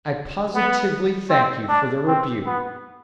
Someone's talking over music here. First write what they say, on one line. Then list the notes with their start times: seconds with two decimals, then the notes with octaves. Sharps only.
I positively thank you for the rebuke.
0.54 B3
1.30 C4
1.69 D4
2.08 C4
2.46 B3